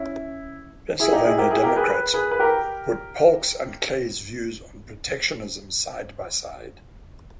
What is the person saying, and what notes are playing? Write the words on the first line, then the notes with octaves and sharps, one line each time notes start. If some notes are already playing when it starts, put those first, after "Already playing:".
Pennsylvania Democrats put Polk's and Clay's views on protectionism side by side.
Already playing: C#4 E4
E4 G#4
D#4 G4
E4 G#4
G4 A#4
E4 G#4
G4 A#4
G#4 B4
B4
G#4 B4
B4
G4 A#4